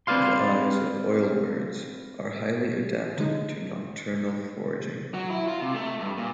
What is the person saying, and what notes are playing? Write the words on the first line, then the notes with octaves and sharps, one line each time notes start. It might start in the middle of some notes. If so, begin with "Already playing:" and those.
The eyes of oilbirds are highly adapted to nocturnal foraging.
C4 B4 C5 D5 F5 C6
A#2 D3 F3 G#3 D#4
F#3
E4
F4
C3
A3
G2
A#2